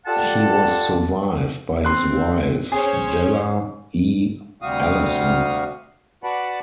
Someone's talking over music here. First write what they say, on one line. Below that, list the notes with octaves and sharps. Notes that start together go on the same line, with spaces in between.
He was survived by his wife, Della E. Allison.
F4 G4 A4 D5 F#5 A5
C4 C6 F#6
C#4 G#4 C5 C#5
D2 C3 G3 F#4 F5 D#6
F#4 B4 D5 F#5 A5 B5